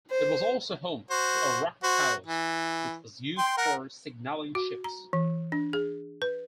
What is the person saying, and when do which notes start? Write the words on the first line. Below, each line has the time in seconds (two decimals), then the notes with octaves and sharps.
It was also home to a "Rocket House" which was used for signalling ships.
0.11 C5
1.11 F#4 C5
1.83 F#4 C5
2.27 E3
3.38 G5 C6
3.58 A#4 F#5
4.55 F#4
4.84 A#5
5.13 E3
5.52 D4
5.73 G#4
6.22 B4